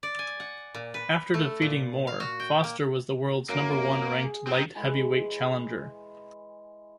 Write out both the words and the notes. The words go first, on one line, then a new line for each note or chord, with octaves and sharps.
After defeating Moore, Foster was the world's number one ranked Light Heavyweight challenger.
D5
G#5
F#5
A#2
B4
A3
A#2
F5
F#4
G5
A#3
F#2 A#3
G#4
C4 D#4
E3 G#3